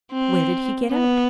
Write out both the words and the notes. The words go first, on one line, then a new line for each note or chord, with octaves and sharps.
Where did he get out?
C4
B3